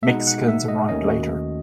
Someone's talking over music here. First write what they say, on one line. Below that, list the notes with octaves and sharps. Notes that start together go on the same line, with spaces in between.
Mexicans arrived later.
E5
B2 G#3 D#4 F#5
F#5
E5
D#5
D#2 D#3 A3 C#4 D#5
F#4